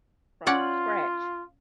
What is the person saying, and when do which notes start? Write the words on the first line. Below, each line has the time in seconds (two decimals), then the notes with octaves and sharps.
from scratch.
0.47 C#4 F4 D5 F#5